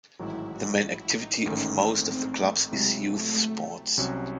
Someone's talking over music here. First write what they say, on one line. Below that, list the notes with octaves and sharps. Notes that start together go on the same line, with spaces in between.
The main activity of most of the clubs is youth sports.
A1 G#2 D#3 F#3 E4
F#4
E4
D#4
A1 G#2 D#3 A3 C#4
C4
C4
A3
C#2 C3 F#3 G#3 C4 E4
A3
C2 C3 F#3 C#4 F#4